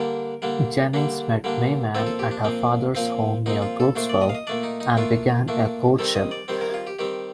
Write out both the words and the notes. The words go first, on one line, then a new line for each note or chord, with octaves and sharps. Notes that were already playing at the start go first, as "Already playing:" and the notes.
Jennings met May Mann at her father's home near Brooksville, and began a courtship.
Already playing: D3 G3 A#3 D4 A#4
D3 G3 A#3 D4
D3 G3 A#3 D4
D3 G3 A#3 D4
A#2 F3 C4 A4
A4
G4
D4
A#2 F3 C4
A#2 F3 C4
A#2 F3 C4 D#4
F4
A4
A#2 A3 D4 C5
D5
D#5
F5
D#5
A#2 A3 D4 D5
D#4
D#4
A#2 A3 D4 F4
A#2 A3 D4
D#3 G3 C4 A4
D#5
D5
D#3 G3 C4 C5
A#4
F4
G4
D#3 G3 C4 G4